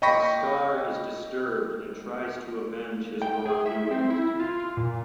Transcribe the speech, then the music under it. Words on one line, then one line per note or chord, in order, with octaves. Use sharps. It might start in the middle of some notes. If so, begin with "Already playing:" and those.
Bhaskar is disturbed and tries to avenge his wrongdoings.
D#5 G5 B5 C#6 A#6 B6
G5
G#4
E5
C4
E4
F4
A#2